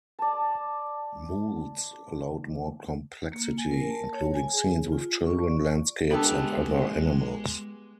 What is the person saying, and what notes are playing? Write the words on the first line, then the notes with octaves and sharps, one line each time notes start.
Moulds allowed more complexity, including scenes with children, landscapes and other animals.
D5 A5
A#3
G#5
A#4
A5
C#5
G#5
G#4
F4
C#6
D5
G#3 B3 D4 G4 A4 A#4 A5 B5